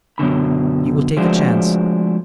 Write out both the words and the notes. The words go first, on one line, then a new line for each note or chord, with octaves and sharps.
We will take a chance.
F#2 B2 D3 B5
F3 G#3 A3 D4 F#4 C5